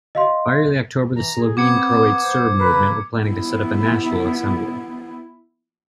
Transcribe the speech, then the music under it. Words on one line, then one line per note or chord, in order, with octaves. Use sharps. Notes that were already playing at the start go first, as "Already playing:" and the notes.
By early October, the Slovene-Croat-Serb movement were planning to set up a National Assembly.
D#5 F5 C6
E3 A#5
G#4
B3 C4 D6 G#6 C#7
C5
C#3 A#4 B4
B3 E4